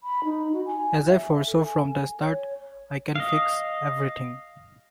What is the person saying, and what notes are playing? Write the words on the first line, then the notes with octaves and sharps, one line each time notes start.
As I foresaw from the start, I can fix everything.
B5
D#4
F#4
G#5
E5
A4
G#5
G#5
C#5
D#5 F5